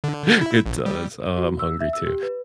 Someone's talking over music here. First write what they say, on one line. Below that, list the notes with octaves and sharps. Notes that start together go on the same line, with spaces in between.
It does, oh, I'm hungry too,
D3
E4
A1
G3
F#4
E6
E5
E6
G4
B4